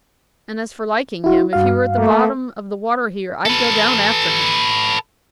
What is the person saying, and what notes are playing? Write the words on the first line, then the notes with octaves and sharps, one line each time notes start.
And, as for liking him, if he were at the bottom of the water here, I'd go down after him.
E4 F#4
G2 F#4 F5
A3 A#3
A4 B4